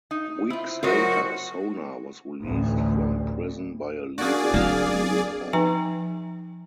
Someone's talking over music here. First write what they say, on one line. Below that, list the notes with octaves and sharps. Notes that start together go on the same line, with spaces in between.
Weeks later, Sonar was released from prison by a legal loophole.
D#4
C4 E4 F4
F#3 F4 F#4 A#4 C5 D#5
A1 D2
A#3 D4 F#4 G#4 D5
F#3 A#3 C4 F5
F3 D#4 B4 G5 G#5 A#5